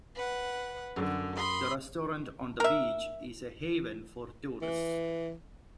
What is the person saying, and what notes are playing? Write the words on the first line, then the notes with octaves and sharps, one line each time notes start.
The restaurant on the beach is a haven for tourists.
B4 F#5
F#2 D3
B5 C6 D#6
A#4 E5
E3